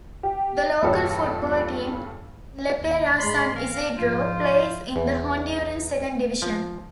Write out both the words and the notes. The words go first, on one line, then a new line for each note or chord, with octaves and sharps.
The local football team, Lepaera San Isidro, play in the Honduran second division.
G4
E2 G2 A#2 G3 A4 C#5
D#2
G#2 G#3 D4 B5 C6
E3 A#4 F5
G#2 F3 F4 C5
E2
F3